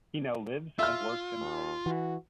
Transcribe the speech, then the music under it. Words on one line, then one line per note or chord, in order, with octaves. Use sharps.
He now lives and works in Ireland.
F4 E5 F6
D#2
E3 F#4